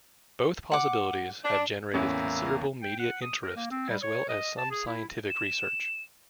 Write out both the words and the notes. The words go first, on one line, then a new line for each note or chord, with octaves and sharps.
Both possibilities have generated considerable media interest, as well as some scientific research.
F#5 D6
D4
E2 A2 A#3 C#4 E4
G5
F#5
D#6
A#4
A#3
C4
G3
C#5
D#5
A5
G#4
E4
E7